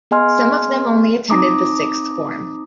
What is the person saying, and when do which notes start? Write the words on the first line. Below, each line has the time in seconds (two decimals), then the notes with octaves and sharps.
Some of them only attended the sixth form.
0.11 B3 G#4 D#5 G#5 C6 F6
1.30 C4 D#4 A#5 D6 D#6